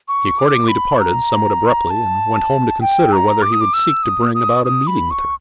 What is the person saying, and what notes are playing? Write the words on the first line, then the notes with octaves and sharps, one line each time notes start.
He accordingly departed somewhat abruptly, and went home to consider whether he would seek to bring about a meeting with her.
C#6
D6
B5
A#5
A5
G5
A#5
D6
D#6
D6
E6
D#6
D#6
D#6
B5
C#6